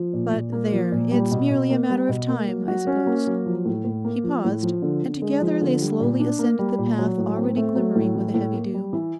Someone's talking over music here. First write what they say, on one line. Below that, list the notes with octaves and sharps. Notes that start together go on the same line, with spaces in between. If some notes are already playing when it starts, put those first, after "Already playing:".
But there, it's merely a matter of time, I suppose.' He paused, and together they slowly ascended the path already glimmering with a heavy dew.
Already playing: F3
A#2
A#2
A#3
F3
A#2
G3
B2
B2
A#3
G3
B2
A#3
F#3
F#4
C#4
A#3
F#3
F3
A2
A2
A#3
F3
A2
F3
D3
D3
G#3
F3
D3
G3
A#2
D4
A#3
G3
A#2
F#3
A2
C4
A3
F#3
A2
E3
A2
A#3
G3
E3